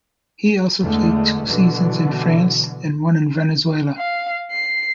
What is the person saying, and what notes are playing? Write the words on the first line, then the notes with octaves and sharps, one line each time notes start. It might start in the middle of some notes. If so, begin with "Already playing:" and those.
He also played two seasons in France, and one in Venezuela.
E2 D3 G#3 A3
B2 D3 E3 F#3
F5
C7